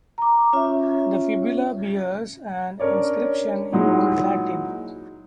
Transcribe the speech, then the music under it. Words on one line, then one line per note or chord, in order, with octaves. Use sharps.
The fibula bears an inscription in Old Latin.
A#5 D6
C#4 F4 C#5 E5
C#4 D4 A#4 C#5 D5
A#2 F#3 G#3 D#4 E4